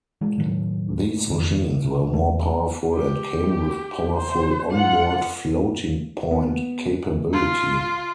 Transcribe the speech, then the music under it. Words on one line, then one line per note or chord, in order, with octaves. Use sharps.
These machines were more powerful and came with powerful on-board floating-point capability.
E3 G#3
A2 D#3 F#3
F2 D#3
C3
E2 A3
G4
C5
F4 F#5
B3
F4